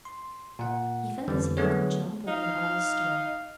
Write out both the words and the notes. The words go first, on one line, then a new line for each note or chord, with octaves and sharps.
He felt as if he could jump over the highest star.
C6
A#2 F#5
F2 D3 E3 G3 C4
D3 F#3 A3 B3 G#4 C#5
D#4 F5